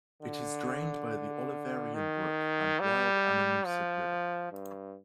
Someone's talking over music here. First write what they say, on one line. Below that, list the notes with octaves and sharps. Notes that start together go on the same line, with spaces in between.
It is drained by the Oliverian Brook and Wild Ammonoosuc River.
D3
D#3
G3
F3
G2